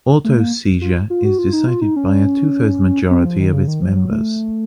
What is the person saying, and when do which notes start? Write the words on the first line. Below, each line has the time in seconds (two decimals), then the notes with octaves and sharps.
Auto-seizure is decided by a two-thirds majority of its members.
0.24 A3
0.39 A#3
0.81 F4
1.10 F4
1.25 F#4
1.39 F4
1.53 D#4
1.67 F4
1.81 D#4
1.96 C#4
3.11 C4
3.25 F3
3.39 D#3
3.53 C#3
3.67 D#3
3.82 F3
3.96 F#3
4.11 A3